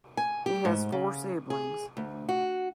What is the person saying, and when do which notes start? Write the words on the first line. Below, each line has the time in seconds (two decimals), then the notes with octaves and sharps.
He has four siblings.
0.17 G#5
0.46 G4
0.65 G#2
0.92 C#3
1.50 G#4
1.97 D2
2.29 F#4